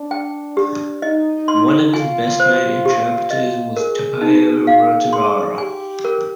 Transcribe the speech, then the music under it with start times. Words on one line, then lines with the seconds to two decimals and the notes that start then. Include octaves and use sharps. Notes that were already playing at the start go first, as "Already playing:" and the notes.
One of his best-known interpreters was Tapio Rautavaara.
Already playing: D4
0.11 G5
0.57 G4
1.02 D#4 D#5
1.48 C6
1.94 F4 G#5
2.40 C5
2.85 G4
3.31 D#5
3.76 G#4 A#4
4.21 D#4
4.67 F5
5.13 C6
5.58 G4 G#5
6.05 A#4